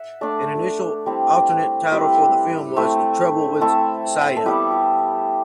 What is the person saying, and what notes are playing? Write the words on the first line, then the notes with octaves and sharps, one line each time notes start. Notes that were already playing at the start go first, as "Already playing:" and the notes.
An initial alternate title for the film was "The Trouble with Siya".
Already playing: E5 F#5
A3 D4 D5
G3 C4 E4
G3 C4 E4 B4
A3 C4 E4
A3 C4 E4 A4
A4
G3 B3 E4 G4